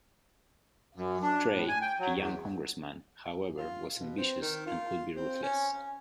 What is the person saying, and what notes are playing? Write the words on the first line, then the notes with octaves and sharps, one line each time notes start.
Trey, a young congressman, however was ambitious and could be ruthless.
F#2
D4
A2
G#5
G5
F#3
E2
F#2
F4
B2
C4
D#3
F4
C4
C#4
C#4